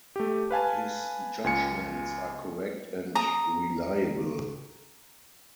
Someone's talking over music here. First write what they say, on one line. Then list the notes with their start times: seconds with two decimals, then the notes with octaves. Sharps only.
His judgments are correct and reliable.
0.16 A3 G4
0.51 B4 F5 G#5 A5
1.44 C#2 F4 G#5 C#7
3.15 A#5 D#6